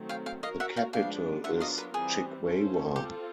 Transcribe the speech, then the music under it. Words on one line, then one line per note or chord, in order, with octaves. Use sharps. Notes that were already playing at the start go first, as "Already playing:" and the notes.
The capital is Chikwawa.
Already playing: D#3 F#3 A3 C4
F5 G5
F5 G5
C#4 F#4 A#4 D#5 F5
E5 F#5
F5 G5
F3 G#3 B3 D4 F5 G5
F#3 B3 D4 F4 A#4 E5 F#5
D#5 F5
B4
E3 G3 C4 G#4
C#4 F4 A4 C5
C4 F4 G4 A4